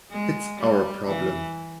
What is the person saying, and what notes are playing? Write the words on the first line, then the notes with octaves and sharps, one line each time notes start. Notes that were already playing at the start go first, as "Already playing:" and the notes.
It's our problem.
G#3
G3
E3